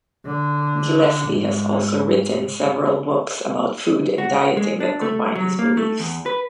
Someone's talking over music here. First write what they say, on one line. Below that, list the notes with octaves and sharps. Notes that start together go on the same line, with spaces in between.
Gillespie has also written several books about food and dieting that combine his beliefs.
D3
G#2
F#4
G#3
D4
A3
F#3
A#3
A3
E2
B4